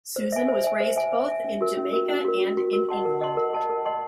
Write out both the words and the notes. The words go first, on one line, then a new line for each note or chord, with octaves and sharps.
Susan was raised both in Jamaica and in England.
C5
E5 G#5
C5
E5 G#5
C5
E5 G#5
C5
E5 G#5
C#4
F#4 A#4
C#4
F#4 A#4
C#4
F#4 A#4
C#4
F#4 A#4
A#4
D#5 F#5 A5 C6
A#4
D#5 F#5 A5 C6
A#4
D#5 F#5 A5 C6
A#4
D#5 F#5 A5 C6